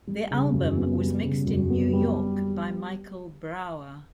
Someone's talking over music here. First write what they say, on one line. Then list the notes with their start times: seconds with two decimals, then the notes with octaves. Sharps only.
The album was mixed in New York by Michael Brauer.
0.07 G3
0.31 C#3
0.54 F#2
0.77 B3
1.00 G3
1.23 C#3
1.47 F#2
1.70 B3
1.93 G3